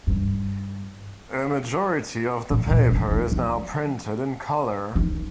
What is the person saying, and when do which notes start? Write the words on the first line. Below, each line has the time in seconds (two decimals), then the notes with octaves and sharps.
A majority of the paper is now printed in color.
0.07 G2
2.51 A2
2.67 C3
2.71 A#2
2.91 D3
3.11 D#3
3.32 F3
4.95 D#3